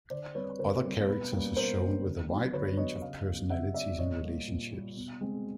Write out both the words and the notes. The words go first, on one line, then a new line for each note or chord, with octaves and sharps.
Other characters are shown with a wide range of personalities and relationships.
D3 C5 D5
G3 C4 B4 C#5
D3 A#4 C5
G3 C4
B2 B4
G3 A#3 C#4
B2 A#4 C5
G3 A#3 C#4
D3
F#3 B3 D4
D3 B4 C#5
F#3 B3 D4 C#5 D#5
C#3 D#5 F5
F#3 B3
C#3 E5 F#5
F#3 B3 D5 E5
A#2 C#5 D#5
G3 A#3
A#2
G3 A#3
B2
G#3 C4